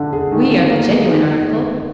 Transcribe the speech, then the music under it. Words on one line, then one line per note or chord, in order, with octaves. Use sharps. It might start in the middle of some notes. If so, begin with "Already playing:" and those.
"We are the genuine article."
Already playing: D3
G#4
D#3
F4
A#3
G#4
D#3